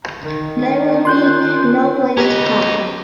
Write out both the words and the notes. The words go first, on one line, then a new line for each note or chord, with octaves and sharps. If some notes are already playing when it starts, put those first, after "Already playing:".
There would be no place to hide.
D#3
C#4 F4 C6 F#6 G6
B3 C#4 G4 D#5 A#5